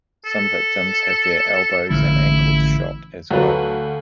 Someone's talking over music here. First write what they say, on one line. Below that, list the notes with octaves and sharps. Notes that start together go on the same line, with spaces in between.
Some victims have their elbows and ankles shot as well.
A4
A1 D3 F3 E4
D2 F#3 A4 B4 F5